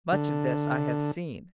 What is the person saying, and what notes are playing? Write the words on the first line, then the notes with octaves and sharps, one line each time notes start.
Much of this I have seen.
D3